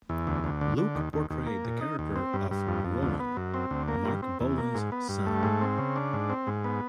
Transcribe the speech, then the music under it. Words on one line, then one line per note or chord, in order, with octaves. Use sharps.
Luke portrayed the character of Rolan, Marc Bolan's son.
E2
D2
D2
D3
D3
D#2
D#2
D#2
A#3
A#2
D#4
D#2
C4
G2
G2
F2
F2
D2
B3
F#2
C4
D2
A#3
G2
C4
E2
A#3
G#2
B3
G2
A3
G#2
C4
C#3
D4
G#2
C4
G#2
B3